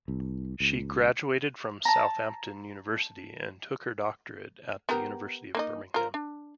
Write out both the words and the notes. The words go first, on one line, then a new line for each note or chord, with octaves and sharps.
She graduated from Southampton University and took her doctorate at the University of Birmingham.
C2
C#2
A5 A#5
B3 G4 A#4
A#3 D#4 D#5
F4 A#4
D4